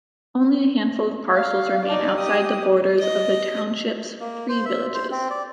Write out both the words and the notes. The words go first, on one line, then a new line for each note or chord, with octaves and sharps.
Only a handful of parcels remain outside the borders of the township's three villages.
F5
D#4 D5
G4 D#6
D#5
A#3
C5
E5
C5
C4
D5